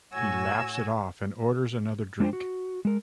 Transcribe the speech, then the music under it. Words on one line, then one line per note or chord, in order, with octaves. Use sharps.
He laughs it off and orders another drink.
A2 F#4 C#5 G#5 E6 G#6
G#3 D4 F4 C5 G5
F#4
G#3 A#4